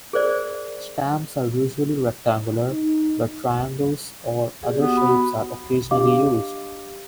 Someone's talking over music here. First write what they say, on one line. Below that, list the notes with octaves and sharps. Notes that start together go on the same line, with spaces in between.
Stamps are usually rectangular, but triangles or other shapes are occasionally used.
G#4 A#4 C5 D5
D#4
G4 G#4 D5
B3 F#4 G4
F#4 B5
D4 G4 D#5 F5 D6